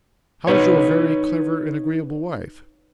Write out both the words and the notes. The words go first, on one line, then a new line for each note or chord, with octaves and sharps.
How's your very clever and agreeable wife?
D#4 B4 C#5